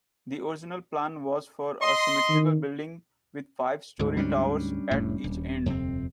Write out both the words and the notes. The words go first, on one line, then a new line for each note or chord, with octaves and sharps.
The original plan was for a symmetrical building, with five-storey towers at each end.
D#5 C6
D#3
D2 G#2
G3 C#4 D4
F1 A2
D#1
F2 C3 C4